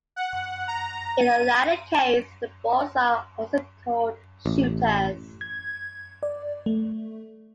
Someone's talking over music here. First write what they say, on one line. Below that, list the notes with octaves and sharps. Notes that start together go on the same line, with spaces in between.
In the latter case, the balls are also called 'shooters'.
F#5
A#5
D#7
A1
G#6
D5
A3